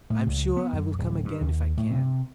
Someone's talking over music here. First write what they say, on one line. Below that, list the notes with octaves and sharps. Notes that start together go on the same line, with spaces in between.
"I'm sure I will come again if I can."
A2
C#2
B3
F#2
D1
G2
D#2
A2
C3